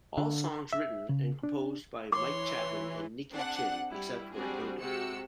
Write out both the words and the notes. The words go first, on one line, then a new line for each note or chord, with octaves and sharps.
All songs written and composed by Mike Chapman and Nicky Chinn except where noted.
D3
E5
C#3
D4
E3 C#5 C6 D6
C4 D4 G#4 F#5
G3 E4
G3 G#3 C4 D4 F#4 G#4
C3 G#3 F#4 G4 E6 C#7